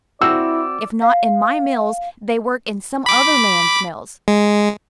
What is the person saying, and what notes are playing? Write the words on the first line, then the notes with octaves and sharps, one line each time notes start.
If not in my mills, they work in some other man's mills.
C4 E4 F#4 D5 E6
F5
B5 D6
G#3